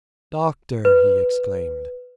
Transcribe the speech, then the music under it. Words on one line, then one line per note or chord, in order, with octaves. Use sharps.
"Doctor!" he exclaimed.
B4